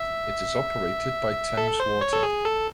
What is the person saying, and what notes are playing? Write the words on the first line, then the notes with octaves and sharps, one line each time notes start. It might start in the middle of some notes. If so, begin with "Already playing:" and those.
It is operated by Thames Water.
Already playing: E5
A4
C5
C#5
A4
G#4
A4